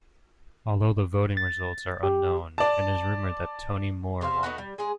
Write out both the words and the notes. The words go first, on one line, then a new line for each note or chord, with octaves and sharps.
Although the voting results are unknown, it is rumoured that Tony Moore won.
A6
G4
D5 A5
C3 C5 E5 F5
A3 B3 D#4 F#4
G3
G#3 G#4